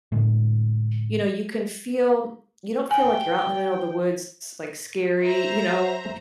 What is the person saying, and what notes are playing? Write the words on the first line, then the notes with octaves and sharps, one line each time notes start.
you know, you can feel you don't feel like you're out in the middle of the woods, s like scary, you know,
A2 D3 G#3
G5 G#5
C5 E5 A#5